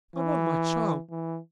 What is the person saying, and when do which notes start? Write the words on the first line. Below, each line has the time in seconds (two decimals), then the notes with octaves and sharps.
I want my child!
0.16 E3
1.10 E3